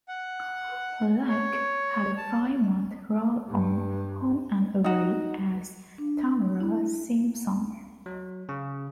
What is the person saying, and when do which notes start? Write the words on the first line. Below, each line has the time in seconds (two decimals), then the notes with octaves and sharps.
Luck had a five-month role on "Home and Away" as Tamara Simpson.
0.08 F#5
1.29 C#5
2.17 A5
3.47 G2
4.84 D#4 F#4
5.98 D4
6.60 E4
8.06 F#3
8.49 C#3